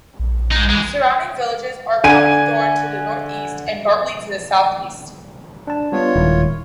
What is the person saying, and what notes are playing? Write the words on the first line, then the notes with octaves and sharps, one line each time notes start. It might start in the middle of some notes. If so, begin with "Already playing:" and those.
Surrounding villages are Copythorne to the northeast, and Bartley to the southeast.
A#1
G#3 D#4
E3 G#3
D3 G#5 D#7
D4 A5
G3 B3 D4 F4 C#5
D#1 G#2 D#3 E4